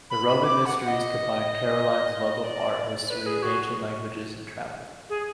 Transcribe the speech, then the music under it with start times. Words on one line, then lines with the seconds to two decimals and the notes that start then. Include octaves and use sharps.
"The Roman Mysteries" combine Caroline's love of art history, ancient languages and travel.
0.10 B5
0.26 B5
0.44 D6
0.66 F#5
0.88 D#5
2.44 D5
3.10 B4
3.26 G#4
3.43 F#4
5.10 G#4